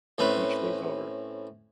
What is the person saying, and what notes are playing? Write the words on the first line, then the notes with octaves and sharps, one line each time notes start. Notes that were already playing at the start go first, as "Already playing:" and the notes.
Beach day's over.
A2 C4 C#4 B4